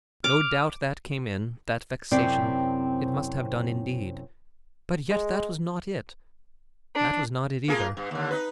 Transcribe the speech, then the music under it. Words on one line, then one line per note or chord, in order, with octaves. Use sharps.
No doubt that came in, that vexation, it must have done indeed; but yet that was not it, that was not it either.
D6 F6
F#2 C3 C4 E4 D5
G#3
D4
A#3 F4 G#4
G2
D#2 D3
D#4 B4